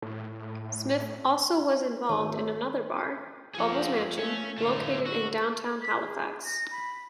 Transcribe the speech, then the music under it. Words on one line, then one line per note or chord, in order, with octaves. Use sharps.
Smith also was involved in another bar, "Bubbles' Mansion", located in Downtown Halifax.
A2
G#1 D#3 A3 C#5
F3 C4 G#4 F#5
A3 A#3 C#4
A2 D3 F#3 A3 F4
F#4
B6
G#4
A#6
B5